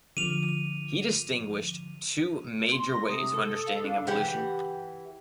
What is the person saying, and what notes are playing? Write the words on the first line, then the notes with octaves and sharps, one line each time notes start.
He distinguished two major ways of understanding evolution.
D3 F3 D#7 F7
C6
A#6
C3 D#6
A4
F5
D4
E3 G4 F#5